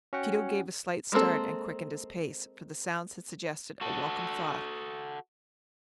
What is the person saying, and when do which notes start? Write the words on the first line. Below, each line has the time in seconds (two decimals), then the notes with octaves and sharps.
Tito gave a slight start and quickened his pace, for the sounds had suggested a welcome thought.
0.13 C#4 F#4 F#5 G5
1.12 G3 G#3 A#3 C4 A4
3.81 F#4 A4